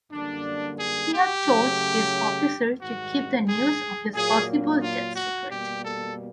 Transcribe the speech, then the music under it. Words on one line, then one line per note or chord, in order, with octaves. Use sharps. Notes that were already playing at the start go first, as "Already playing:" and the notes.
He had told his officers to keep the news of his possible death secret.
F#2 D3 G3 A#3 D4
G#4
G4
C#3 F#3 A3
G#2 D#3 G3 F#4
G#4
A#2 F#3 A#3 G#4
F4
F#4
B2 G3 A#3 G4
A4